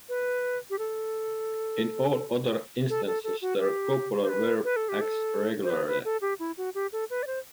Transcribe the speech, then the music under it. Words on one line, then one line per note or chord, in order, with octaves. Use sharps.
In all other instances the copular verb acts regularly.
B4
G4
A4
A4
A4
A4
F#4
G4
C5
B4
B4
A4
G4
A4
C5
B4
B4
A4
G4
E4
F#4
G4
A4
B4
D5
C5